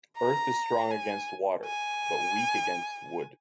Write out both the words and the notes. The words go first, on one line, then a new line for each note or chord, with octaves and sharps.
Earth is strong against water, but weak against wood.
A#5
G#5
G#5